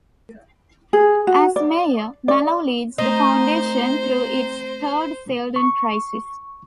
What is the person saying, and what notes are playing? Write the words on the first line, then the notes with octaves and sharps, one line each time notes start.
As Mayor, Mallow leads the Foundation through its third Seldon Crisis.
G#4
F#4
D5
D5
A3 C4 D#4 C5 A#6
C#6